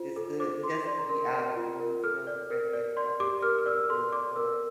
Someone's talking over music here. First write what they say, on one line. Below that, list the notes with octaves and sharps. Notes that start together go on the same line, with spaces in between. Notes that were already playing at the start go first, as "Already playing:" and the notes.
just to just to be out, you know, and smell the fresh air. So, I think that's really good for,
Already playing: F4 C5
A4
C5 D6
A4 C6
D5 C6
A#5
A#4 C6
D5
F4
A#4
A4 F6
D5
A#4
D5
D5 C6
G4 D6
A#4 F6
F6
D5 E6
A4 C6
D5 D6
A#4 E6